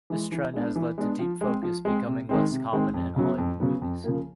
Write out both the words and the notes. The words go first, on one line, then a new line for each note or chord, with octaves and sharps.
This trend has led to deep focus becoming less common in Hollywood movies.
E3 G#3
E3
G#3 B3 D4
E3
G#3 B3 D4
F3
G#3 C4
F3
G#3 C4
C3
D#3 G#3 C4
C3
D#3 G#3 C4
F2
C#3 F#3 B3
F2
C#3 F#3 B3
F2
C#3 F3 A#3